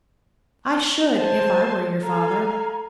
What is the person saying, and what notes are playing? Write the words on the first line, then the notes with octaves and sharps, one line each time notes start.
"I should, if I were your father."
C5 G#5 A5 C6
A4 F5 G#5 A#5